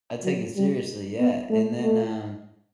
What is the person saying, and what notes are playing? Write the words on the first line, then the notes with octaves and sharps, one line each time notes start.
I take it seriously, yeah, and then, um
F#3
G3
B3
A3
A3